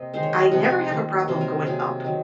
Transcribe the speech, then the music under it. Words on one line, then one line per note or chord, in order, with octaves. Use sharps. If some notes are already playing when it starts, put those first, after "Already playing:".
I never have a problem going up.
Already playing: C3 A#3 D#5
D#3 G#3 C5
C#5
D#5
F5
C3 F3 G#3 F#5
G#5
D#3 A#3
C3 F#3 A#3 C5
A#4
C3 F#3 A#3 G#4
D#3 F#3